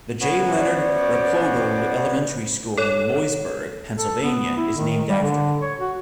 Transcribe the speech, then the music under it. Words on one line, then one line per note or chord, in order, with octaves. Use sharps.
The J. Leonard Replogle Elementary School in Loysburg, Pennsylvania is named after him.
B3 C#4 F#4
C5 D5
A4 C#5
A4
B3
E4
D#3
G3
D3
C#5
F#4